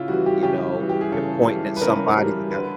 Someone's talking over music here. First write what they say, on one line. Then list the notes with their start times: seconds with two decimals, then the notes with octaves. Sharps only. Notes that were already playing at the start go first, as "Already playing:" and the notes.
you know, "You're pointing at somebody, you got"
Already playing: C#3 E4 F4
0.08 E3 G3 F#4
0.26 G4
0.42 C#3 G4
0.78 E3 G3
0.89 G4
1.01 G#4
1.12 C#3 A4
1.47 E3 G3
1.77 B4
1.81 C#3 A#4
2.08 A#4
2.16 E3 G3 B4
2.51 D3 B4